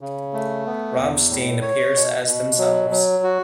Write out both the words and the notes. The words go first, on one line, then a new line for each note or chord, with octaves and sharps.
Rammstein appear as themselves.
C#3
A3
B3
E2
A2
C#5
B2
B2
F#3
F#3
F#4